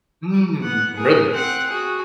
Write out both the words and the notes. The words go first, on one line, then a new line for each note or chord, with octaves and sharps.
Mm, really?
B3 F#5
G#4 A#4
C4 F#5
F#4 G#4